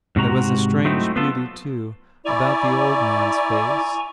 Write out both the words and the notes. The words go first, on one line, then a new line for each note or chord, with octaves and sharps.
There was a strange beauty, too, about the old man's face.
G#2 C3 F#4 A#5
F#3 A3 C4 D#4 E4
B3 F4 A4
E4 D5 G#5 A#5 C#6